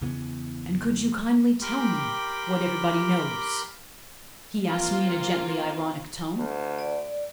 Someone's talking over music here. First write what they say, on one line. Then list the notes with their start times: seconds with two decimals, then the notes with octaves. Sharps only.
"And could you kindly tell me what everybody knows?" he asked me in a gently ironic tone.
0.01 E2 C#3 E3 B3
1.62 G4 A#4 G5 B5 C6 D6
4.64 A#3 C4 F4 F5
6.38 D2
6.79 D5